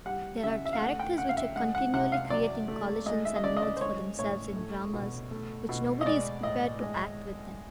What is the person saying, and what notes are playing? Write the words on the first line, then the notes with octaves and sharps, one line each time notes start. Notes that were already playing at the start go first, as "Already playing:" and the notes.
There are characters which are continually creating collisions and nodes for themselves in dramas which nobody is prepared to act with them.
G3 F#5
C#3 E5
E5
F5
A3 F#5
G5
C#3 F#5
F5
E5
G#3 F#5
F#5
C3 F#5
F5
F#3 D5
A3
G#3 D#5
E5
D#5
C#3 D5
D#5
D5
C5
G#3 C#5
A2 C#5
A3
B2
A3
B2
D#5
G#3 D5
A2 D#5
G#3